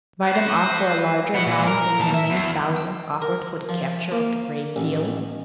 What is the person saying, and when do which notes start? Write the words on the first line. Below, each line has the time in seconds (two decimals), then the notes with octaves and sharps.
Buy them off for a larger amount than the many thousands offered for the capture of the Gray Seal?
0.23 F#4 B4 C5
1.34 B3 F#4
1.46 A#2
1.67 A#4
2.00 A#2 A5
2.14 E5
2.30 E2
2.76 G5
3.22 A#4
3.69 F3
4.12 A#3
4.76 A1